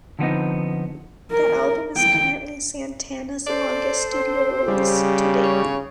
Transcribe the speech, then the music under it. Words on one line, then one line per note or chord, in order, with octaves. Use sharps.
The album is currently Santana's longest studio release to date.
D3 F3 G3 B3 C4 D#4
A#4
G5
A4 C5 D5
C4
C#3 G3
C#5